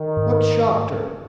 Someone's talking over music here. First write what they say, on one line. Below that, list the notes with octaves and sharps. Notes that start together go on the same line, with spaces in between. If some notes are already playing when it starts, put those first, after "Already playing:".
"What shocked her?"
Already playing: D#3
G#2